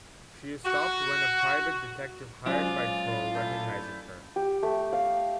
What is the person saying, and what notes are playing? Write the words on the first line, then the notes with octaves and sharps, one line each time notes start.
She is stopped when a private detective hired by Crow recognizes her.
F#4
F#3 G#3 C#4 F4 C5 D5
A3 E4
G4
A3
F5